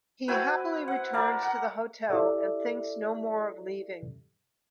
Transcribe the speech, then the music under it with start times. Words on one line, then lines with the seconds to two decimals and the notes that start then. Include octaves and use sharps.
He happily returns to the hotel and thinks no more of leaving.
0.28 C4 E4 F#4 B4
0.88 F#5
1.13 A#4 D5 A5 B5
1.43 F#5
2.09 E4 G4 A4 D5 E5